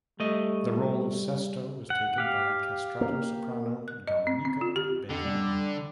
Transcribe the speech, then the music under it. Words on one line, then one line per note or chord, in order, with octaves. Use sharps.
The role of Sesto was taken by castrato soprano, Domenico Bedini.
G3 A3 D#5
F#5
G4 F5
A#3
F#6
D#5
C4
C4
F4
G4
F2 D3
G3